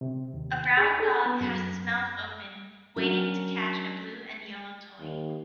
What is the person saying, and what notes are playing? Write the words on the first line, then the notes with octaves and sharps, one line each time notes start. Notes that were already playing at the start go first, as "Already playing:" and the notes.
A brown dog has its mouth open waiting to catch a blue and yellow toy.
C3
D#2
G#4
A4
B3
F#2
F#3 C#4 D4 F#4 A#4
D#2